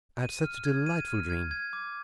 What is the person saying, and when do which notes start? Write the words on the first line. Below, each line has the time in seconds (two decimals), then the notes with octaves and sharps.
I had such a delightful dream.
0.22 D#7
0.44 F6
0.65 G#6
0.86 D#7
1.08 F6
1.30 G#6
1.51 G#6
1.73 D6